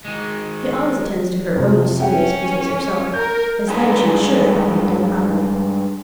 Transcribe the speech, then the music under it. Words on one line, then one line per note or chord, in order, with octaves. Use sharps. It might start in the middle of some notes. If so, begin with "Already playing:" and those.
She always attends to her own serious business herself, as then she is sure of having it done properly.
D#3 G#3
F2 C3
C#4 E5 F#5 G5
A#4 A#5 G6
G2 G#3 B4 A#5